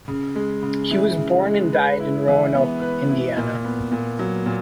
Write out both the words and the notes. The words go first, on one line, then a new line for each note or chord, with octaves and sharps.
He was born and died in Roanoke, Indiana.
C#3
G#3
C#3
E3
C#3
G#3
B4
E4
E3
B3
B4
E4
A#2
B3
A#2
F#3
A#2